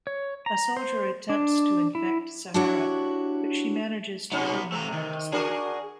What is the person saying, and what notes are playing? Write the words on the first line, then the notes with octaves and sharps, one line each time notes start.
A soldier attempts to infect Sahara, but she manages to kill him and escape.
C#5
A#5
C5
D4
E4
D4 E4 F#4 G4 C#5
C3 F#3 B3 C#4 D#4
C3 A3 A#5
D#3
D4 F#4 G#4 A#4